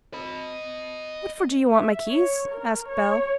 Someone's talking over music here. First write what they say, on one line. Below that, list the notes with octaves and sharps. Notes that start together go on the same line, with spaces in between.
'What for do yo' want my keys?' asked Bell.
D#5 B5
E5
C#5
A#4
C#5